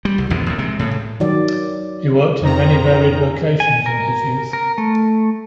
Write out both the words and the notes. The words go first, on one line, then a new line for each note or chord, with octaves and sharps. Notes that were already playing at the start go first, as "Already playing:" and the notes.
He worked in many varied vocations in his youth.
G3
C2
A1 F2 B2 D3
D#2 C3
C3 G#3
A2 C#3
D#3 F#3 D5
F2 D#3 C4 A#5
G#4
G#5
A#4
A#4
A3